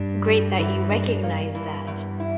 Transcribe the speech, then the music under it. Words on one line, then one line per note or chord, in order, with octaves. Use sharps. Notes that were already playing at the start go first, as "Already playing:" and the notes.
great that you recognize that.
Already playing: G2 D4
G3
E3
D4
A#3
G2 E3
E2
E4